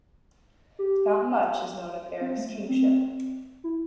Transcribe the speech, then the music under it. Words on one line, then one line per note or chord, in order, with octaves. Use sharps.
Not much is known of Eric's kingship.
G4
C4
A3
A3
C4
E4